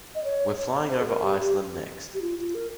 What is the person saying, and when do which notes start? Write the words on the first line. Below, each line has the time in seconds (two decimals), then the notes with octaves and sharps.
We're flying over Iceland next.
0.15 D#5
0.24 C#5
0.90 C5
1.01 G#4
1.07 A#4
1.23 G4
1.39 G4
2.14 G4
2.22 F4
2.38 F4
2.55 A#4